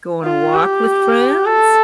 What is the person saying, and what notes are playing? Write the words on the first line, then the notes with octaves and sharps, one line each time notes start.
go on a walk with friends,
F4
G4
A4